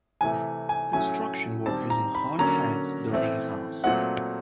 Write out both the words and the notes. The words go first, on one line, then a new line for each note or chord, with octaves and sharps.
Construction workers in hard hats building a house.
C3 E3 A3 G#5
G#5
A2 F#3 A3 C#4 G#5
D#3 G3 C4 A5
A#5
B5
D3 F#3 A#3 C#4 A#5
A2 E3 A3 C4
A#2 F#3 A3 C4 F#5